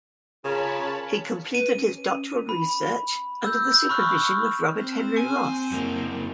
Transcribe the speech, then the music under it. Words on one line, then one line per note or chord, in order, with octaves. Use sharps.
He completed his doctoral research under the supervision of Robert Henry Roth.
C#3 F4 A#4 C#5 G#5 A5 B5
B4 D#7
C#4
B5
E6 G6
B5 C#6 F6 F#6
C4 C5
G#5
F#2 A#3